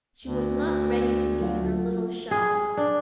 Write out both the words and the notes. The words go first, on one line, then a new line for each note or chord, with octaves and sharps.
She was not ready to leave her little shell.
D2
F#3 F4 F#4
G#4
D4